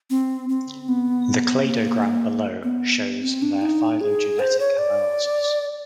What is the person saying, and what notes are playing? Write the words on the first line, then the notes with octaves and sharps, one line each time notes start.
The cladogram below shows their phylogenetic analysis.
C4
C4
B3
A#3
B3
C4
D4
D#4
G#4
C5
C#5
D5